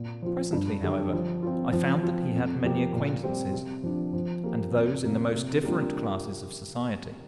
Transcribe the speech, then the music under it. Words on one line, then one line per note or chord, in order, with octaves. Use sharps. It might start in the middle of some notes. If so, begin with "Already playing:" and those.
Presently, however, I found that he had many acquaintances, and those in the most different classes of society.
Already playing: A#2
F3 C4 F4
G2
D3 G3 D4
F3
C4 F4
F3
C4 F4
F2
F3 A#3 G4
A#2
G3 C4 G4
C3
F3 D4
F3
A#3 G4
F2
C3 A#3
C3
G3 A#3 D4 F4